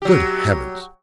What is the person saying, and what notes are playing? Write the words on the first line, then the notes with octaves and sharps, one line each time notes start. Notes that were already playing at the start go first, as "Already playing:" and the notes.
Good heavens!
F#3 G4